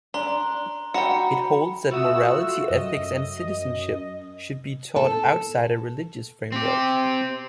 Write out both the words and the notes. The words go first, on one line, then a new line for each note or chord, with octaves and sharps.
It holds that morality, ethics and citizenship should be taught outside a religious framework.
D4 A#5 C6 G7
F#4 G5 A#5 B5 C#7
A3 F4 F#4 F#5 D#6 E6
F#2 D#5
A4
C4 G4